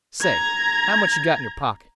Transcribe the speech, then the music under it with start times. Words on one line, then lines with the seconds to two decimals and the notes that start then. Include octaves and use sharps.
Say, how much you got in your pocket?
0.21 A#5 G#6